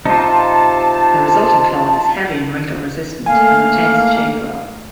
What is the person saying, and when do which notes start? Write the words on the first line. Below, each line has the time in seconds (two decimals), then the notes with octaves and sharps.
The resulting cloth is heavy and wrinkle-resistant, and retains its shape well.
0.05 C3 D#4 F4 A5
3.26 A3 A#3 F5 G#5